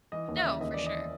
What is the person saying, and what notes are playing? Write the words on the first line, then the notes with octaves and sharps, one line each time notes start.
No, for sure.
E3 D#5
D#2
E5
C#3
D#2 D#5
E3 D5
D#5